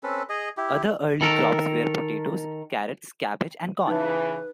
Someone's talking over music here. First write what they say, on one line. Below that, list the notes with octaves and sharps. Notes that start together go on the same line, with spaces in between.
Other early crops were potatoes, carrots, cabbage, and corn.
C4 C#4 A4 B4
G#4 D#5
E4 G4
D#3 A4 A#4
C#3 E3 D#4 B4